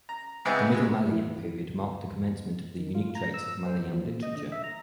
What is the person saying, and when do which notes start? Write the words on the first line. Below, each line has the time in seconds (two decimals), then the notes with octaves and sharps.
The Middle Malayalam period marked the commencement of the unique traits of Malayalam literature.
0.09 A#5
0.45 G#2 C#3 G#3 B3 C4 E4
0.71 E3 G#3
1.12 E4
1.45 F#2
1.79 D2
2.04 E2
2.78 D#3
2.95 F4
3.15 A#5
3.34 E6
3.66 C5
3.78 E2
3.93 F3
4.05 A#2
4.23 D#5
4.36 D3
4.52 E5
4.64 A#5